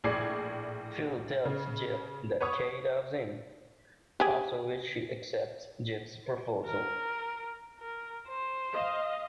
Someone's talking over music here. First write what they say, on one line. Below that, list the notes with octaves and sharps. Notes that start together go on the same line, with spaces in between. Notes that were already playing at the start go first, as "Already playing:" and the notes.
Phil tells Jeff that Kay loves him, after which she accepts Jeff's proposal.
A#1 A2 G#4 D5 G#6 C7
C#3
B4 C#5 C#6 D#6
G4 G#4
A#4
A#4
C5
D#5 F5